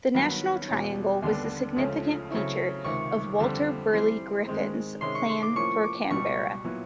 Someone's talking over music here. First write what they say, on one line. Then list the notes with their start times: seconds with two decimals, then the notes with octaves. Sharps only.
The National Triangle was a significant feature of Walter Burley Griffin's Plan for Canberra.
0.14 G2 D#3 F#3 B3 B5
0.69 E2 B2 G#3 C#4
1.22 D#2 D3 G3 B3 D4 C6
1.76 C#2 C#3 F3 A3 C#4
2.31 C#3 F#3 A3 C4 E4 C#6
2.84 C#2 C3 D#3 C#6
3.39 F2 D3 G3 C4 F4
3.93 E3 G3 C4 C6
4.47 G#2 D#3 G#3 C4
5.01 C3 D#3 G#3 C#4 C6
5.15 C#6
5.29 C6
5.42 D6
5.56 A2 F3 A#3 C#4 C#6
5.83 D6
6.10 C#2 B2 G3 C#6
6.64 A#2 F#3 B3 E4